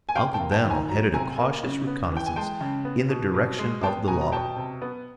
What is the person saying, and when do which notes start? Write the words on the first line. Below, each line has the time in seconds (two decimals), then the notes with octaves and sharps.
Uncle Dan'l headed a cautious reconnaissance in the direction of the log.
0.09 G#5
0.15 C3 F5 G5
0.34 G5 A5
0.39 A#3
0.52 G5 A5
0.65 D#3
0.70 G#5 A#5
0.88 F#3 A#5
1.13 C3 G#5 A#5
1.38 A#3
1.63 C#3
1.87 B3
2.12 E3 G5
2.26 G#5
2.36 G#3 G5 A5
2.61 C#3
2.85 B3
3.09 B2
3.34 B2
3.59 G#3
3.83 B3 G5 A5
4.08 B2 G#5 A#5
4.21 A#5
4.32 B2 G5 A5
4.56 C3
4.82 B3